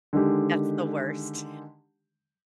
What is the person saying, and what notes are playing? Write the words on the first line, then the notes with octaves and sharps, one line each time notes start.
That's the worst.
D3 D#3 G#3 G4